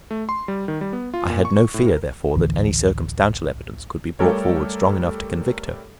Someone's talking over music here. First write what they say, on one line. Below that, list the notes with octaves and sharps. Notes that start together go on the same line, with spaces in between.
I had no fear, therefore, that any circumstantial evidence could be brought forward strong enough to convict her.
A3
C6
G3
D#3
G3
B3
F4
A#2
C#6
C#6
A2
A#4
A1 D2 D3 E3
G3 A3 G4 A4 A#4 C#5